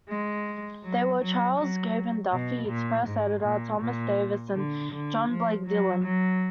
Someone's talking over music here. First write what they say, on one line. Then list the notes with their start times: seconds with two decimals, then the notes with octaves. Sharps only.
They were Charles Gavan Duffy, its first editor; Thomas Davis, and John Blake Dillon.
0.09 G#3
0.83 F#3
1.20 F#3
1.58 F#3
2.32 B2
2.69 A#2
3.06 G#2
3.43 A#2
3.80 A#2
4.55 D3
4.92 D3
5.29 F3
5.67 F#3
6.03 F#3